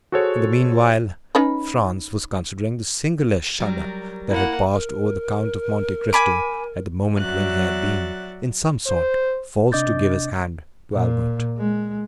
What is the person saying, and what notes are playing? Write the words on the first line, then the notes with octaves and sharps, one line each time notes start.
In the meanwhile Franz was considering the singular shudder that had passed over the Count of Monte Cristo at the moment when he had been, in some sort, forced to give his hand to Albert.
F#4 G#4 A4 C5 C#5 F#5
C#4 D#4 B4
F#3 G3 A#4
A#3 E4 F#5
A#4
G#5 B5 D6
F#3 F#4 D5 E5 F#6 A6
C5
C3 D4 D#5 D6 G6 A6
A#2
G#3